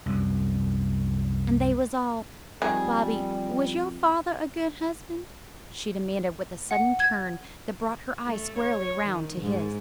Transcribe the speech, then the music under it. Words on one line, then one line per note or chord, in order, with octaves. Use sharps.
"And they was all---- Bobby, was your father a good husband?" she demanded with a sudden turn that brought her eyes squarely round to his.
C2 F#2
F2 D#3 G3 G#4
F#5
G#6
A3
C#5
D#3
G#2